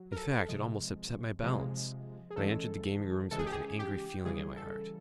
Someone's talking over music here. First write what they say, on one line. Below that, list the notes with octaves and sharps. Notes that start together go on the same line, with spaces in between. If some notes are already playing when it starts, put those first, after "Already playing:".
In fact, it almost upset my balance, and I entered the gaming rooms with an angry feeling at my heart.
Already playing: F#3
A#4
A4
C3 F3 G#3
C3 F3 G#3
G#4
C#3 E3 G#3 A4
C#3 E3 G#3 A4
G#4
G4
G#4
G4
C#3 E3 G3 G#4
A4